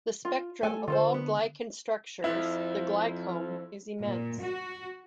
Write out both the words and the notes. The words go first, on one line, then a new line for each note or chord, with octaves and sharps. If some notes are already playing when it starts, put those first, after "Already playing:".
The spectrum of all glycan structures - the glycome - is immense.
F4
A3 A4 G#5
D3 F4 A4 C5
B3
F2 E4
A#2
F#4